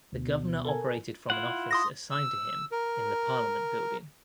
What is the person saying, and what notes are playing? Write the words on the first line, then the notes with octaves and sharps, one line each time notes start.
The Governor operated from an office assigned to him in the Parliament Building.
D2 B2
A4 A#4 G#5
E4 F4 F#5
C6 D#6 A#6
E6
A#4